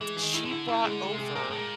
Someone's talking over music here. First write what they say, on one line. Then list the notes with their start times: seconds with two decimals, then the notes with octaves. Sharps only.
she brought over
0.01 E3 G#3
0.17 G#4
0.23 D#3
0.34 E4
0.45 D3
0.51 E4
0.68 C#3 E4
0.84 G#3
0.90 D3
1.01 G#3
1.13 C3
1.18 G#4
1.35 B2 A#4
1.43 A#2
1.51 A2 G#3
1.58 A#2